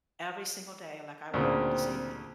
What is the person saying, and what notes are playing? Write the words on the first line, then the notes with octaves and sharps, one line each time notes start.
every single day, like, I worked this evening,
D2 A#2 C#3 C4